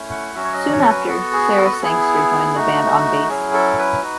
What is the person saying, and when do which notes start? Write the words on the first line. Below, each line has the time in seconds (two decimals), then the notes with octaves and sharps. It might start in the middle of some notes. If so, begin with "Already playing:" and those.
Soon after, Sarah Sangster joined the band on bass.
Already playing: A3 C#4 E4
0.10 F#5
0.35 F#3 C#4 F#4 E5
0.44 C#5
0.53 D#5
0.72 C#5
0.83 A4
0.90 B4
1.08 B3 F#4 A4
1.32 G#4
1.58 A4
1.65 B4
1.72 A4
1.82 B3 E4 G#4
2.55 A3 D#4 F#4
3.29 F#3 C#4 E4 G#4
3.54 A4
3.78 B4
4.03 D#4 F#4